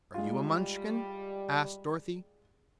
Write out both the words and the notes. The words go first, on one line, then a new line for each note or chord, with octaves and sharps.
"Are you a Munchkin?" asked Dorothy.
G3 G#3 F4